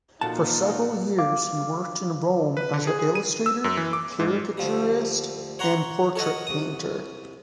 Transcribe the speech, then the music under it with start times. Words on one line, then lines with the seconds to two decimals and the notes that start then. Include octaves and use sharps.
For several years he worked in Rome as an illustrator, caricaturist and portrait painter.
0.21 A#2 F3 A#3 D#4 F4 F#4 A4 A5
1.19 F5 D6
2.57 B4
2.73 D3
2.87 G#4
2.99 G#4
3.15 D#7
3.46 E6
3.64 F#2
3.77 E3
3.93 D6
4.19 G#2
4.57 D2 F3 G3
5.59 C#5 F#5 A#5 C6 C#6
6.16 A4 C#5 D#5 F#5
6.47 C2 D#6